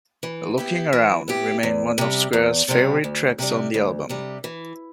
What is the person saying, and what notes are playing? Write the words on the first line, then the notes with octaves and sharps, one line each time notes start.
"Looking Around" remained one of Squire's favourite tracks on the album.
E3
B3 E4 G4
E3
B3 E4 G4
E2
C3 G3
E2
C3 G3
D2
C3 G3
D2
C3 G3
E3